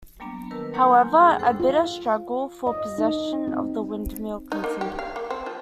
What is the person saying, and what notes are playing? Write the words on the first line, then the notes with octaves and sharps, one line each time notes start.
However, a bitter struggle for possession of the windmill continued.
F#3 G3 A#3 B3 D4
D#3 A#4 B4 A5 E6
F#3 G3 A#3 D#4 F#5 G6
G#5 C6
D2 G2 D4 G#4 F#6
A4 C5 G5 C6 E6
F4
D#5
D#4
C4
D#4
A#3
G4
F5
A#3
C4
F3